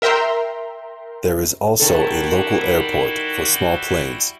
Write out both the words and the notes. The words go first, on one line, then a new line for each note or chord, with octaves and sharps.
There is also a local airport for small planes.
A#4 E5 G5 A#5 C6
D#3 G3 E4 F#4 A4